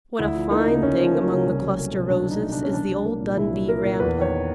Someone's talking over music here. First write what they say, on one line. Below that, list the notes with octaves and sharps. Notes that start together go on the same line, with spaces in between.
What a fine thing, among the cluster Roses, is the old Dundee Rambler!
D2 E4
F3
A#3 D#4
C#3
D2 C#4
F3
A#3
C#3
C2
F#3
A3
B2
C2 D4
F#3 D#4
A3
D4
B2
C#4
C2 D4
F#3
A#3 D4
A#2
C2 E4
F#3
A#3 A#4
A#2
E2 B4
D#3 C#5